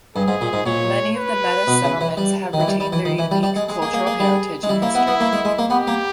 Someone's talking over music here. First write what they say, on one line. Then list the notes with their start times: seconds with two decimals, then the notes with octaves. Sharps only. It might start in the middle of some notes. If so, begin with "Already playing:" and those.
Many of the Metis Settlements have retained their unique cultural heritage and history.
0.16 G2 G#4
0.28 G#2
0.41 A#2
0.53 G#2
0.66 A#2 C#5
1.17 B4
1.67 B2
1.84 C#3
2.01 E3
2.17 G3
2.53 D#3
2.60 E3
2.68 G3
2.80 G3
2.92 E3
3.05 D#3
3.18 E3
3.31 G3
3.43 G3
3.56 G#3
3.69 G#3 G#4
3.82 A#3
3.93 A#3
4.07 A#3
4.20 G3
4.63 G#3
4.69 G3 E4
4.82 A#3
4.95 B3
5.07 B3
5.20 A#3
5.33 G#3
5.45 G#3
5.58 A#3
5.70 B3 G4
5.87 A#3